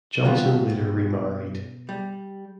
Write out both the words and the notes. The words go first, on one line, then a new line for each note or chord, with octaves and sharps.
Johnson later remarried.
B2 G3 B3 F4 F#4
G3